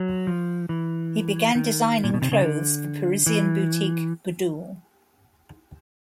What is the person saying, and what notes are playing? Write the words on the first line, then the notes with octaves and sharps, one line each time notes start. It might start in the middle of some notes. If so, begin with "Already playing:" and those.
He began designing clothes for Parisian boutique, Gudule.
Already playing: F#3
F3
E3
D#3
A#2
B2
C3
C#3
D3
E3